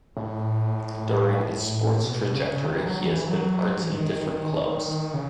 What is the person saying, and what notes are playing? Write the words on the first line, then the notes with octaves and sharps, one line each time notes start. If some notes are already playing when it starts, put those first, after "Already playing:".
During its sports trajectory, he has been parts of different clubs.
A2
B2
C#3
C#3
D#3
E3
F#3
E3
F#3
E3
D#3
C#3